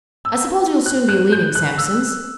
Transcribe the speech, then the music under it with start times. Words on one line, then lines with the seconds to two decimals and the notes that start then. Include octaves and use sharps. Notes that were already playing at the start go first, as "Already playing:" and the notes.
I suppose you'll soon be leaving Sampson's.
0.25 E6
0.86 F#6
1.09 F#6
1.32 G6
1.55 F#6
1.78 E6